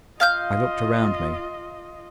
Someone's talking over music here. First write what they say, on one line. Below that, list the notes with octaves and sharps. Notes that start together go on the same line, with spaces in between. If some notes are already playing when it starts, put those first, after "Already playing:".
I looked around me.
F4 D#5 F5 F6 G6